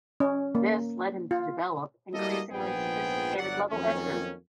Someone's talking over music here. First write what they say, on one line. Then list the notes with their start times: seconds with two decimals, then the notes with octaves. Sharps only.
This led him to develop increasingly sophisticated level editors.
0.20 C#4
0.55 A#3
1.31 F4
2.13 G3 A#3 E4 F#4 A4 D#5
2.51 A#1 G#2 F3 B3 G#4 G5
3.37 G1 F#3 D5 F#5
3.71 F2 D#3 F#3 A#3 C#4